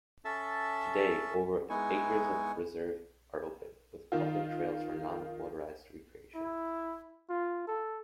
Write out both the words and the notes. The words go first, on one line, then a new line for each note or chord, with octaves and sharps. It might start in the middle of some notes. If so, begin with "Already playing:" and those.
Today, over acres of the reserve are open, with public trails for non-motorized recreation.
C#4 A4 E5 A5 E6
G#3 B3 D#4 E4 G#5 C#6
D#3 F4
E4
F4
A4